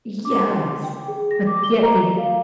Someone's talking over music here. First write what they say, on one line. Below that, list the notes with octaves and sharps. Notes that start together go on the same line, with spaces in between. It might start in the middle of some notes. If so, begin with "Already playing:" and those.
Yes, but yet they
D6
C6
G5
G#4
A#6
D6
G7
A#5
F5